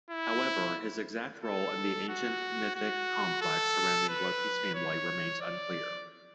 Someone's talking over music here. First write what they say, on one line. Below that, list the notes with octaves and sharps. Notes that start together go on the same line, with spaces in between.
However, his exact role in the ancient mythic complex surrounding Loki's family remains unclear.
E4
A4
F#4
F#4
A4
B4
C#5
D5